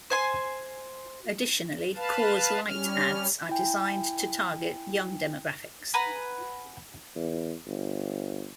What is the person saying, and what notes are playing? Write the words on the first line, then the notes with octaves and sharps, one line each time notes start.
Additionally, Coors Light ads are designed to target young demographics.
C5 G#5 C6
B4 F5 A5
G3 C#4 F6
E4 G5 G#5
B4 F#5 G#5 A#5
E2
G1